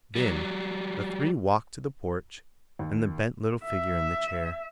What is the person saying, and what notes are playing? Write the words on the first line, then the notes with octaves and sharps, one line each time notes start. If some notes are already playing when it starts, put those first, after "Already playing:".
Then the three walked to the porch and the bent little figure in the chair.
F#3 G3
D#2
E5